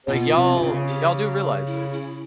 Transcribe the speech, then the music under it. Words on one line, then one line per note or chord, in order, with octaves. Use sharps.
Like, y'all y'all do realize this."
B2 F4
C3
C3
C#3
G4
E4
E4